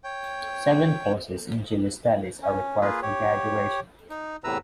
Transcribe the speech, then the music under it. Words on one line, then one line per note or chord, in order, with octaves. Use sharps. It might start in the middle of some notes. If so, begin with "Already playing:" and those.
Seven courses in Jewish studies are required for graduation.
C#5 G5
C#4
A#3 F4 G#4 B4
G4 C#5
D#4
E2 A2 C3 B4 A#5 E6